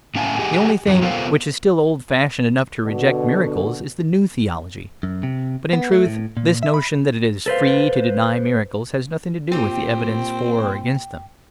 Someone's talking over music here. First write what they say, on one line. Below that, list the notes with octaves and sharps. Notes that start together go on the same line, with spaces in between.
The only thing which is still old-fashioned enough to reject miracles is the New Theology. But in truth this notion that it is "free" to deny miracles has nothing to do with the evidence for or against them.
A2 C#4 E5 F5 G#5 A5
G4 G#4 D#5 F#5 G#5
F2 F#3
B3 F4 A4 A#4 C5 F5
B2 D3
F#2
C3
B3
A3
A2
A#2
E5
B5
A4 B4 C5 F5
A#2 C4 F4 G4 G5